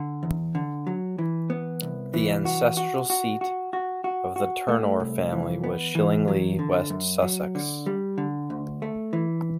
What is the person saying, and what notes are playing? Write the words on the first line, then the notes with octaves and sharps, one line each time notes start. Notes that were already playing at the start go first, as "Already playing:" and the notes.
The ancestral seat of the Turnour family was Shillinglee, West Sussex.
Already playing: D3
E2
D3
F#3
E3
B3
C2
E3
F#4
F#4
F#4
F#4
F#4
F#4
F#4
A3
C2
E3
B3
E3
F#3
D3
F#2
F#3
D3
G3
D3
D2
A3
E3